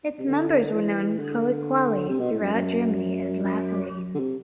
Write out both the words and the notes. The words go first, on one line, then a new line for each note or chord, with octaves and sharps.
Its members were known colloquially throughout Germany as "Lassalleans".
C3
D3
E3
D3
C3
B2
A2
F#2
F#2
F#2
D3
C3